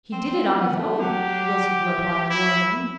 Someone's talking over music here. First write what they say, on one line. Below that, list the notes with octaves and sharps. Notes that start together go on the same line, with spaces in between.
"He did it on his own," Wilson replied warmly.
C4
C4
C4
B3
A3
F#3 G4
E3
E4